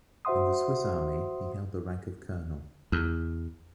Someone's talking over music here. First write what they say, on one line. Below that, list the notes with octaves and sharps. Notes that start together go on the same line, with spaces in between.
In the Swiss army he held the rank of a colonel.
F#4 C5 E5 F#5 C6 D#6
E2